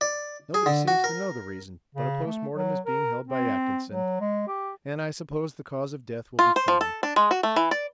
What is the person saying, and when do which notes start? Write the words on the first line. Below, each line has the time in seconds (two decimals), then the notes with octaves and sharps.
Nobody seems to know the reason, but a post-mortem is being held by Atkinson and I suppose the cause of death will be found.
0.01 D5
0.54 G#4
0.66 D3
0.88 F#4
1.04 A#4
1.95 C#3
2.26 A3
2.55 F#3
2.87 A#4
3.28 C4
3.90 F#3
4.21 G#3
4.48 G4
6.39 F4
6.56 C5
6.68 F3
6.81 A4
7.03 D4
7.16 G#3
7.31 F#4
7.43 A3
7.56 E3
7.71 D5